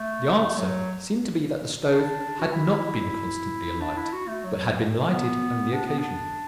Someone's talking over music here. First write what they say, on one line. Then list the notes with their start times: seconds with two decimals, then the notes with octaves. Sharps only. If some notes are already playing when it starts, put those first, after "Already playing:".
The answer seemed to be that the stove had not been constantly alight, but had been lighted only occasionally.
Already playing: A3
0.57 F#3
1.86 D4
2.40 F#4
2.52 E4
3.80 D4
3.97 E4
4.13 F#4
4.28 A3
4.44 F#3
5.09 B3
5.73 D4
5.86 B3
5.98 D4